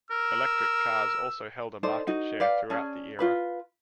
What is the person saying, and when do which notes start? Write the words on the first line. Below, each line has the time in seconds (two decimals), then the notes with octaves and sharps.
Electric cars also held a market share throughout the era.
0.11 A#4 E6
1.83 D#4 A4 C5 D5
2.07 D#4 F#4
2.40 B4 D5 F5
2.70 C#4 G#4 D5 A5
3.19 F4 B4 B5